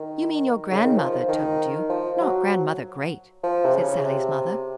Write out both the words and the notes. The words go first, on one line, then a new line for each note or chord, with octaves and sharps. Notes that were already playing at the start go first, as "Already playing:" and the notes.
"You mean your grandmother told you; not Grandmother Great," said Sallie's mother.
Already playing: D#3
C#3
D#3
F3
D#3
F3
F#3
F3
C3
C#3
C3